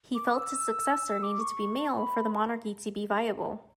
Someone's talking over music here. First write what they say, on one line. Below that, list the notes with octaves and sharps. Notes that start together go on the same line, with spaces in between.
He felt his successor needed to be male for the monarchy to be viable.
D6
E6
D6
C#6
C#6
B5